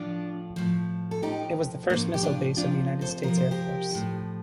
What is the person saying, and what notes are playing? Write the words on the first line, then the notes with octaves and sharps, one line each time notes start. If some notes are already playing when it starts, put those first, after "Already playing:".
It was the first missile base of the United States Air Force.
Already playing: A2 F3 D4 F4
A2 F3
A4
A2 F3 D#4 G4
A2 F3 A#3 D4
G4
D4 F4
C3 F3 D4 F4
A4 C5
C3 F3 A#4
C5
G4 A#4
A2 F3